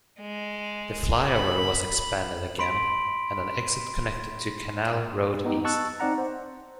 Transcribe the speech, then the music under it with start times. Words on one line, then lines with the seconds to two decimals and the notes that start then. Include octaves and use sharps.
The flyover was expanded again and an exit connected to Canal Road East.
0.20 G#3
1.29 B5
2.59 B5 C6 B6 D7 F#7
5.45 B3 D#4 G4
5.64 D#5 A5 C#6 E6 F#6 A6
6.00 C4 D#4 D5 F#5 A#5
6.18 C5